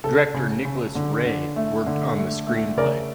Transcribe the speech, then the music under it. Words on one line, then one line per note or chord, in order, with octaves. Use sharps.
Director Nicholas Ray worked on the screenplay.
C#3 A4
C#3
C#3
D3
D3
A3
D3
A3
A3
C#3 A#4 D5